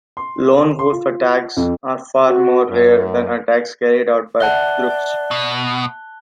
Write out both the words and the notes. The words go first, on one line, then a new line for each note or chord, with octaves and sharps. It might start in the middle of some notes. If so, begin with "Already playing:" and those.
Lone wolf attacks are far more rare than attacks carried out by groups.
C6
C6
F4
F2
F#4
F#2
D5 E5 F#5 A5 F#6 G7
B2